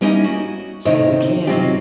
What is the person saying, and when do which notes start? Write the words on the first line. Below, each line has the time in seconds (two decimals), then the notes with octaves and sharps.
So we can.
0.01 G3 A#3 C#4 D#4 E4
0.24 F#4
0.85 C3 D#3 D#4 E4 C#5
1.47 C3 F#3 C4 D#4 F4 G4